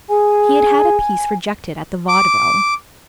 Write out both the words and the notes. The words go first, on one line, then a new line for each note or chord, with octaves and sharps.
He had had a piece rejected at the Vaudeville.
G#4 G#5
D6